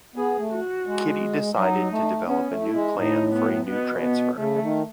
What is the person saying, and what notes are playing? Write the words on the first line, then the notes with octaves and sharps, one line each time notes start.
Kidde decided to develop a new plan for a new transfer.
B3 G#4
A3
F#4
G#3
F#3 D#4
A3
B3 C#4
A3
E4
G#3
A2 D#4
B3
B2 B3
B3
C#3 A3
D#3